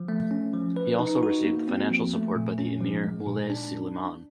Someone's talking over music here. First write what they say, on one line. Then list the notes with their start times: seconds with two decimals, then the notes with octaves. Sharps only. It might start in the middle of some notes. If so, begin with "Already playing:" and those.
He also received the financial support by the emir Moulay Slimane.
Already playing: F3
0.08 A3
0.31 C#4
0.54 F3
0.76 B4
0.99 D#4
1.23 F#4
1.44 A#3
1.68 C4
1.90 F3
2.14 A3
2.35 A#2
2.59 C#4
2.81 F3
3.04 G#3
3.26 A#2
3.50 D4